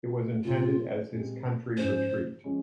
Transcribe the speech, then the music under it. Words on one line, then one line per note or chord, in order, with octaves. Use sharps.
It was intended as his country retreat.
A#2 G#3 C4 F4 G4
A#2 G#3 C4 G4
G#2 F3 G#3 C#4 C5
F3 G#3 C#4